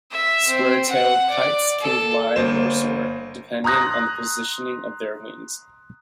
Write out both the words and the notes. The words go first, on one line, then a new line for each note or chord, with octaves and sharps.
Square-tailed kites can glide or soar, depending on the positioning of their wings.
E5
C4
F#5
D5
A4
G1 A#3 C5 E7
A#5 C6 D#6 F#6 A#6